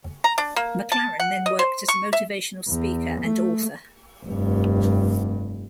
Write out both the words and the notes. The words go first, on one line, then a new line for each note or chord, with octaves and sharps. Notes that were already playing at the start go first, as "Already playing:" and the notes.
MacLaren then worked as a motivational speaker and author.
A#5
D4
A#3
A5
F#5
D#5
C5
C#6
E5
E2
A3
F1 G2